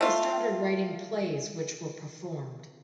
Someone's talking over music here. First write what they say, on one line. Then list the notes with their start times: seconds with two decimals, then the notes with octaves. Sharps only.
He started writing plays which were performed.
0.01 A3 F4